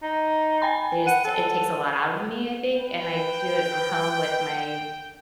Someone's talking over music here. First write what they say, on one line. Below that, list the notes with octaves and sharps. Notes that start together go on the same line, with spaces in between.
they just it takes a lot out of me, I think, and I do it from home with my
D#4
G5 G#5 B5
F#5 D#7
A4
B4 G5